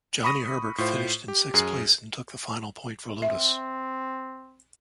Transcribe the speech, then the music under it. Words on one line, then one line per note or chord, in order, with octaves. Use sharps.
Johnny Herbert finished in sixth place and took the final point for Lotus.
B5 C#6 D#6 A#6 D#7
A2 F4 C5
G4
F#2 G#4 C7
C4 E5